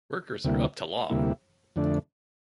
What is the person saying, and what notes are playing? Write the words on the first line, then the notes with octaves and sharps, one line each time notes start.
Workers are up to long.
D2 C3 G3 A#3 E4
D2 C3 G3 A#3 E4
F2 D3 A3 D4